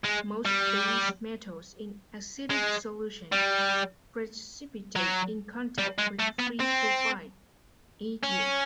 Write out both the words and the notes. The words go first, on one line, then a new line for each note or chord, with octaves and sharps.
Most base metals in acidic solution precipitate in contact with free sulfide, e.g.
G#3
G3
G#3
G3
F#3
G3
G#3
A3
B3
C4
C#4